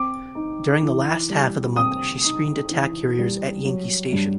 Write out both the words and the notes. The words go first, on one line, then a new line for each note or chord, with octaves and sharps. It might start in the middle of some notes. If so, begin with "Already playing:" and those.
During the last half of the month she screened attack carriers at Yankee Station.
Already playing: C4 D6
D#4
E3
G3
C4 D#6
D#4
E3
G3
F#3
G2